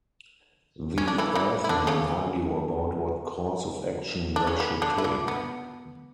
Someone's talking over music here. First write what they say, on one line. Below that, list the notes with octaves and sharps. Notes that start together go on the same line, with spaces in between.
The Earthmen argue about what course of action they should take.
C#4
D4
E3 E4
E3 E4
E4
D3 D4
C#3 C#4
D4
C#4
B3
D3 D4
E4
D3 D4
B3